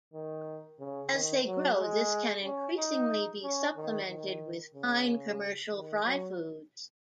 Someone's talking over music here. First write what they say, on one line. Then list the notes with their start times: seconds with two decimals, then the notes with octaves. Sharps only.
As they grow, this can increasingly be supplemented with fine commercial fry foods.
0.14 D#3
0.80 C#3
1.13 D#3
1.46 F#3
1.79 G#3
2.44 C#4
2.77 D#4
3.43 C#4
3.76 D#3
4.09 D#3
4.75 C#3
5.74 D#3
6.06 F#3